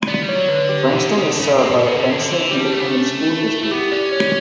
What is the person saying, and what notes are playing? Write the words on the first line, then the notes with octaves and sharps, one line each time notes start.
Frankston is served by the Frankston Independent School District.
B3 D5
G3
C#5
F#3
D3 B4
G4
B2
C#3
D3
C#3
B2
B2 G4
B2
A4
C#3
D3
D3
E3
G3 G4
D4
A3
B3 C#4
A3
E4
A3
B3 G4
C#4 D5
C#5